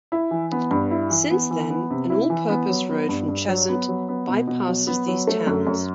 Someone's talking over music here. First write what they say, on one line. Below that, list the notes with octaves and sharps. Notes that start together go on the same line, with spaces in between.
Since then, an all-purpose road from Cheshunt by-passes these towns.
E4
E3
B3
G2
E4
E3
B3
E3
B3
C3
E4
E3
B3
F#3
B3
G2
G2
F#3
B3
F#3
B3
B2
B2
F#3
B3
F#3
A3
F#2
F#2